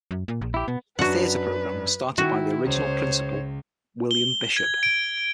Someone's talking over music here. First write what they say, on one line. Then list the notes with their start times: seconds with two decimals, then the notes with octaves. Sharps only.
The theatre program was started by the original principal William Bishop.
0.11 F#2
0.28 A#2
0.41 A#1
0.54 E4 G4
0.68 B2 B3
0.99 F#2 D4 F#4 B4 F#5
2.18 D#3 E4 F#4 G5
2.66 C#2 C5 C#5
4.11 G7
4.57 G#6
4.83 D7